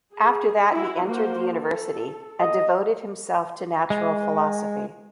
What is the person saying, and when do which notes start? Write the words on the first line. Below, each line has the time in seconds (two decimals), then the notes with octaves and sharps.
After that he entered the University, and devoted himself to natural philosophy.
0.13 G#4
0.72 E4 F#4
1.05 A#3 F#4 C5
1.51 A4
2.39 D#5
3.90 G#3